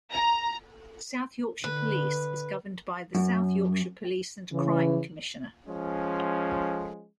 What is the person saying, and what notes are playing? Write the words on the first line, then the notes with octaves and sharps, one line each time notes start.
South Yorkshire Police is governed by the South Yorkshire Police and Crime Commissioner.
A#5
D3 B4
F#2
C#3 E3
F3 G#3 C#4